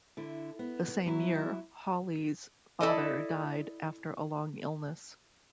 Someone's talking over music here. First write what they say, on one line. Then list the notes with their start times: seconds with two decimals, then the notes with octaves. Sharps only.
The same year, Hawley's father died after a long illness.
0.17 D3 E4
0.59 B3
1.06 F#3 E4
2.81 E4 A4 D5 D#5